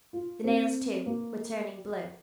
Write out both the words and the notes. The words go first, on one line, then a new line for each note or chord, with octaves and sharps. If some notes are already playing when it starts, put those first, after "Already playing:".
The nails, too, were turning blue.
F4
C4
A#3